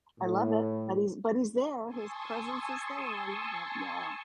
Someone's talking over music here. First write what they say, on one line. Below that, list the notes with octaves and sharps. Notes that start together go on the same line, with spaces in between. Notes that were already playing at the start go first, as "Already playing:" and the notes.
I love it. But he's but he's there. His presence is there. I love it, yeah.
A2
G#5 A5 C6 C#6 D#6 E6